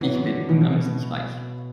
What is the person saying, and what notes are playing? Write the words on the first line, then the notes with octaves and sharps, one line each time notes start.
Ich bin unermesslich reich.
A2 E3 F#3 B3
D3
B2
D3
B2